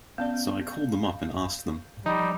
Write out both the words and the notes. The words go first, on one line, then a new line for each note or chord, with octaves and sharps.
So I called them up and asked them.
B3 C#4 D5 F5 G6
F3 G3 D#4